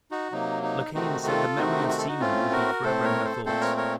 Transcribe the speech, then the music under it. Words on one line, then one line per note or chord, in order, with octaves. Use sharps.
Locane said the memory of Seeman will be forever in her thoughts.
D#4 F#4
C3 F#3 A#3 D#4
D#4
C3 D#3 A3 C4 D#4 F#4
F4 A4
C3 D#3 A3 C4 D#4 F#4
F#4
A4
D#4 F#4
A2 A3 C4 C#4 F4
F#4 A#4
A2 A3 C4 A4 C5
A#4 C#5
A4 C5
A#2 A3 C4 A4 C5
A#4 C#5
A#4 C#5